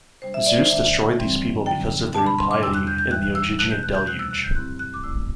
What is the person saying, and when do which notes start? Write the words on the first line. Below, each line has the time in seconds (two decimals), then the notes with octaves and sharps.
Zeus destroyed these people because of their impiety, in the Ogygian Deluge.
0.22 C3 G3 D4 C5
0.34 E5
0.46 D5
0.58 C5
0.70 D3 A3 D4 E5
1.19 G2 E3 G3 C4
1.66 F#2 D3 F#3 G5
2.14 B2 G3 D4 A5
2.26 B5
2.39 C6
2.51 D6
2.63 E2 C3 G3 D4 E6
2.74 F#6
2.87 G6
2.98 G6
3.11 E2 C3 E3 G3 F#6
3.23 F#6
3.35 E6
3.59 B2 A3 E4 F#6
3.71 G6
3.83 F#6
3.95 G6
4.07 D2 C3 G3 F#6
4.19 E6
4.31 F#6
4.43 G6
4.55 G2 F#3 C4 E4 F#6
4.79 F#6
4.94 D6
5.03 D3 A3 E4 E6